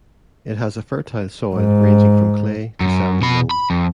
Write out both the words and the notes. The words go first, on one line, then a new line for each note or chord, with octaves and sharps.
It has a fertile soil ranging from clay to sandy loam.
G#2
F#2
B2 B5
B5
F2